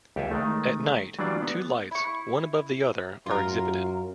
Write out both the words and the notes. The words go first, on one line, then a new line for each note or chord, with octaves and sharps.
At night, two lights, one above the other, are exhibited.
C#2 G4 A4 E5 F5 G#5
D#3 G#3 A3
E3 F#3 G3 D4 F4 D5
B3
E4 C#6
F#2 F4 A#4